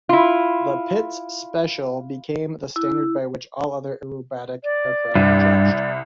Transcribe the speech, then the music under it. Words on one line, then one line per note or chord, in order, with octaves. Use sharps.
The Pitts Special became the standard by which all other aerobatic aircraft were judged.
E4 F4
E4
D5
C2 G2